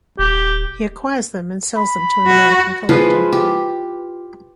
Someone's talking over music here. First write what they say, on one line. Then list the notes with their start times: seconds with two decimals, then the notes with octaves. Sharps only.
He acquires them and sells them to an American collector.
0.19 D#1 G4
1.77 B5
2.26 F#4
2.89 F3 G#3 F4 B4
3.32 G4